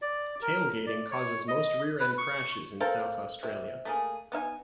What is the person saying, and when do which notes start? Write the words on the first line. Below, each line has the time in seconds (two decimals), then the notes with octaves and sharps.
Tailgating causes most rear-end crashes in South Australia.
0.02 D5
0.42 A#4
0.86 D5
1.11 C#5
1.48 D#5
2.00 B4
2.18 C#6
2.80 C4 A4 A#4 F5
3.43 C3
3.85 A3 A#3 G#4
4.32 B3 D#4 E5 G#5